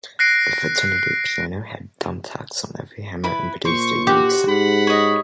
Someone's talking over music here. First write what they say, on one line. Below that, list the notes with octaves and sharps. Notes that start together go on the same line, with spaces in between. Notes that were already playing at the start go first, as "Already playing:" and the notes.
The fraternity piano had thumbtacks on every hammer and produced a unique sound.
F#6 A#6 C7 D7
E4 B4 B5
A#2 C5 C#6
F#4 G4
G#2 F#5 B5
C#5 D#5